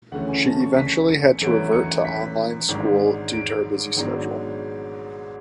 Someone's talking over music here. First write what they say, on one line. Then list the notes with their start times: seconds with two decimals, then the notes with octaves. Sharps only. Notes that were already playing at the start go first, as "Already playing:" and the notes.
She eventually had to revert to online school due to her busy schedule.
0.12 D2 C#3 E3 A3 C#4 F#5
0.28 G#5
0.44 A5
0.60 C#6
0.76 B6
1.09 C#7
1.41 G#1 F#2 E3 A3 C#4 D7
1.73 C#7
2.05 B6
2.69 G#1 G#2 G#3 D4
3.33 D7
3.97 G#1 G#2 F#3 B3 D4